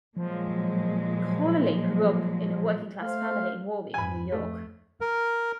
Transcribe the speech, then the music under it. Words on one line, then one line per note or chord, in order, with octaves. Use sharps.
Connelly grew up in a working-class family in Warwick, New York.
A#2 F3 F#3 G#3
A3 C5 F5
F2 G#2 G#5 B5
A3
A#4